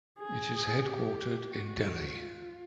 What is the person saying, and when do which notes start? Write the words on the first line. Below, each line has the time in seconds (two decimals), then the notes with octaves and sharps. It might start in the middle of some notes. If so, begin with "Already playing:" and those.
It is headquartered in Delhi.
0.19 G#4
0.86 G4
1.51 F#4
2.16 F4